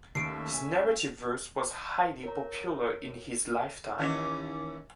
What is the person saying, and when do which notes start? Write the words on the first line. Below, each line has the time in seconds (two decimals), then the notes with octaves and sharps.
His narrative verse was highly popular in his lifetime.
0.15 D#2 A3 C#4 E5 C7 D7
0.54 G#5
2.24 A#4 C#5 A#5
3.98 D#2 E3 C#4